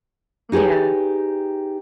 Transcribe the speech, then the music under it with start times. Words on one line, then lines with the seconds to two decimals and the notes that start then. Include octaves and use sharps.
Mm, yeah.
0.52 D#4 G4 G#4 B4 C#5